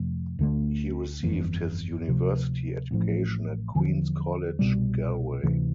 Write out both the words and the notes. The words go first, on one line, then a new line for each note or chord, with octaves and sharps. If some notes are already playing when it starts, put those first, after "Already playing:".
He received his university education at Queens College Galway.
Already playing: F2 C3 F3 A3
D2 D3 A3
G1 F2 E3
D2 C3 F3
A1 A2 F3
E2 D3 F3
C2 B2 G3
D2 C3 E3